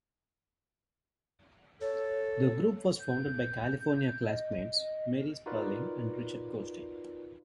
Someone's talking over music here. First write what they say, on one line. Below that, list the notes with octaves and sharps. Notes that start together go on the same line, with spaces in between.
The group was founded by California classmates Mary Sperling and Richard Gosting.
A4 C#5
G6
D#5
D#4 F4 F#4 A#4 B4 D5